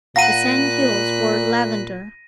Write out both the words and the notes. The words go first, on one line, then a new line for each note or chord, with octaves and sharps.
The sand hills were lavender.
A#2 F5 F#5 A#5 B5 F#6 A#6 D#7